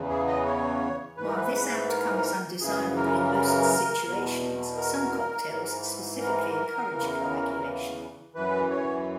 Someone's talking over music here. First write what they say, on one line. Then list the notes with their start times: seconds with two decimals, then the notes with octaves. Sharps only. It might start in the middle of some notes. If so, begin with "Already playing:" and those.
While this outcome is undesirable in most situations, some cocktails specifically encourage coagulation.
Already playing: E2 C#3 E3
0.09 G#4
0.27 D#5
0.45 C#5
1.17 G#2 E3 B4
1.27 A#4
1.36 B4
1.89 A#4
2.61 F#2 C#3 E3 G#4
2.96 A#4
4.04 E2 B2
4.76 A#4
5.48 G#2 E3
6.19 A#4
6.91 E2 C#3 E3
8.35 F#2 E3 B4
8.71 C#5